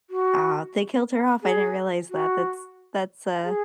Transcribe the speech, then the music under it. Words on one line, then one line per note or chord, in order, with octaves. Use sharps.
Uh, they killed her off, I didn't realize that. That's that's a
F#4
G#4
F#4
G#4